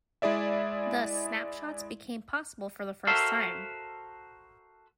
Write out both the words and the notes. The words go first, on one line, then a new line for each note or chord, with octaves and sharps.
Thus, snapshots became possible for the first time.
G#3 E4 G#4 D5 E5
F#4 A4 A#4 C5 E5 F5